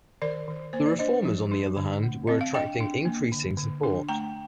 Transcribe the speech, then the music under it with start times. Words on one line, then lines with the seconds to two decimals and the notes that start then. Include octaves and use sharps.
The reformers, on the other hand, were attracting increasing support.
0.22 D#3 A#4 D5
0.48 D#3
0.73 A#3 C5
0.86 D5
0.99 D4 C5 D#5
1.25 F3
1.52 D4
1.77 D3
2.03 A3
2.27 C4 D#5
2.41 F5
2.54 D4 D#5 G5
2.80 D4
3.05 A#3
3.32 D3
3.57 D3
3.83 D4
4.09 A3 G5 A#5